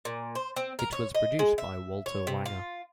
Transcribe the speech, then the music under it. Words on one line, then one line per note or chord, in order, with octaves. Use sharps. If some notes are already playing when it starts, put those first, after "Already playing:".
It was produced by Walter Wanger.
A#2
C5
C4
A#4
C#5
D#5
G#3
E5
C#5
C3
F4